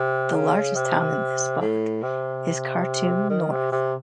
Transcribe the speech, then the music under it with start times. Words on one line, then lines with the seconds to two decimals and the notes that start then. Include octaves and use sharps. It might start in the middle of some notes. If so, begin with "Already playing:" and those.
The largest town in this block is Khartoum North.
Already playing: C3
0.34 C#3
0.76 C3
1.61 A2
2.03 C3
3.30 D#3
3.51 C3
3.72 C3